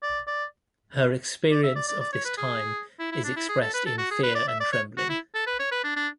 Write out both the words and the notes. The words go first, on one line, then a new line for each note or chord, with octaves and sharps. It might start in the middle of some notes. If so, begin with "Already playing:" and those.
Her experience of this time, is expressed in "Fear and Trembling".
D5
D5
D5
E5
D5
D5
D5
C#5
B4
G#4
E4
E4
D4
E4
G#4
A4
B4
A4
F#4
G#4
B4
D5
E5
D5
C#5
F#4
E4
A4
B4
C#5
B4
D4
D4